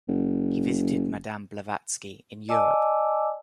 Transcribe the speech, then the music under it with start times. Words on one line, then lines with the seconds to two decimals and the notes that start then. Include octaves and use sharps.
He visited Madame Blavatsky in Europe.
0.08 F#1
2.49 D5 D#5 G#5 A5 D6 E6